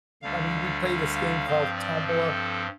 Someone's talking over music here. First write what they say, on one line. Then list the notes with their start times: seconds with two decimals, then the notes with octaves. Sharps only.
I mean, we play this game called Tombola,
0.22 D2 D3 G3 D4 F5
0.84 F5
1.15 F5
1.46 G2 F3 C4
1.76 D5
2.07 A4